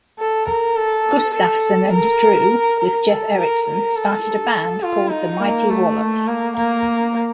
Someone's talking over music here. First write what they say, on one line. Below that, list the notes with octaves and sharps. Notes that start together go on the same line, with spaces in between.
Gustafson and Drew, with Jeff Erickson started a band called The Mighty Wallop!
A4
A#4
A4
A4
A#4
A#4
A4
A#4
A#4
A4
F4
D#4
A#3
A3
A#3
A#3